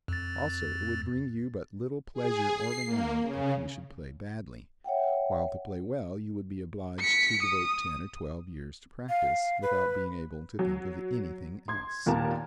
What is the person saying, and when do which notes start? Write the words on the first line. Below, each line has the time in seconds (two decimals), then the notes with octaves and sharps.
Also, it would bring you but little pleasure or renown if you should play badly; while to play well you would be obliged to devote ten or twelve years to practice, without being able to think of anything else.
0.08 F2 A6
2.14 G#4
2.53 C7
2.86 A#3
3.22 C#3
4.84 C#5 E5 F#5 G5
7.00 B6 C#7
7.43 D#6
9.09 F5
9.62 B4
10.59 F#3
11.68 C6 G#6
12.06 D#2 A#2 A#4 A5